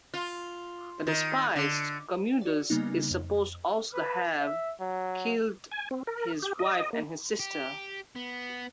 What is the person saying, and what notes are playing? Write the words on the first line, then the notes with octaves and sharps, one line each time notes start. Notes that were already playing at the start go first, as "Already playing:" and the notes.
The despised Commodus is supposed also to have killed his wife and his sister.
F4
D#3
D3
F#4 D5
C#3 G3 A#3 B3 D#4
F2
B4
E5
F#3
G#5
C4
A#4
G4
D#5
A#3
G4
B3